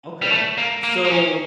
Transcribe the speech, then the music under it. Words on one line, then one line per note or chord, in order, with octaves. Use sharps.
Okay, so
G3
A3
A#3
A#3
A#3
C#4